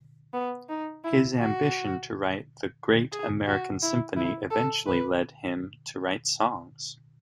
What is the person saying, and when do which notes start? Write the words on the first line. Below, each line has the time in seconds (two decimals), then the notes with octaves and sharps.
His ambition to write the "great american symphony" eventually led him to write songs.
0.34 B3
0.69 D#4
1.04 E4
1.38 F#4
3.12 G#4
3.47 F#4
3.82 E4
4.17 E4
4.51 A4
4.86 B4